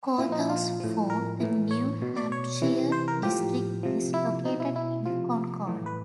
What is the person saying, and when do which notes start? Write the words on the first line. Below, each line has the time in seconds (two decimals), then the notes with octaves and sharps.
Courthouse for the New Hampshire district is located in Concord.
0.18 A#2 F3 E4
0.32 D#4
0.40 E4
0.50 F4
0.80 A2 F3
1.10 A#4
1.40 A2 E3
1.71 C#5
2.02 B2
2.16 D5
2.32 C#5
2.62 C3 E3
2.92 C5
3.08 A#4
3.23 A2 F3 G4
3.83 C3 F3
4.14 E4
4.45 B2 D#4
4.60 E4
4.76 E4
5.06 C3 F3 F4
5.67 A2 E3
5.86 B4